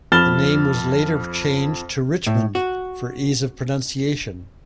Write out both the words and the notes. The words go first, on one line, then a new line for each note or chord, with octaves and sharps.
The name was later changed to Richmond for ease of pronunciation.
F2 B5 F6 A6 E7 G7
A2
F#4